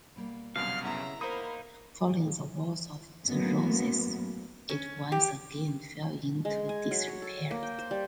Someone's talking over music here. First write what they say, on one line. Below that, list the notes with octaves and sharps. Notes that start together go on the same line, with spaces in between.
Following the Wars of the Roses it once again fell into disrepair.
B2 G3 A#3
C2 F#2 B2 D3 B3 F5 F6
C#3 B3 E4 E5 F#5 A#5
A#3 D#4 A#4 C5 B5 D#6
F#2 A2 A#3 B3
C#4
G4
G#3
G#5
F#3
C#5
A4
A#3
G5
C5
G3